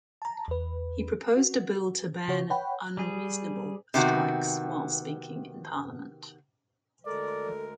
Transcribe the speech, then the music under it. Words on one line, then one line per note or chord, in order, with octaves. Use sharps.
He proposed a bill to ban 'unreasonable' strikes while speaking in Parliament.
A5 A#5
E2 B4
F#4
C#3 F#4 C#5
B4 C#5 F#5 G5 B5
G3 G#4
C3 D#3 B3 F#4
D2 G#3 A4 A#4 D5